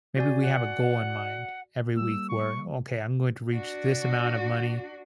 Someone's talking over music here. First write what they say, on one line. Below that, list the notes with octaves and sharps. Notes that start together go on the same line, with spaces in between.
maybe we have a goal in mind every week where, "Okay, I'm going to reach this amount of money,"
F#4 D5 G#5
F#5
G3 A#3 E6
C#6
D4 F#4